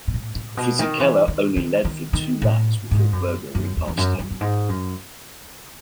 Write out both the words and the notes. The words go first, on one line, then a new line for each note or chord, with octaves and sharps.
Fisichella only led for two laps before Berger repassed him.
B2
A2
A2
B2
D#3
E3
D#3
D#3
D#3
D#3
A2
G#2
F#2
F#2
E2
E2
F#2
F#2
F#2
G#2
F#2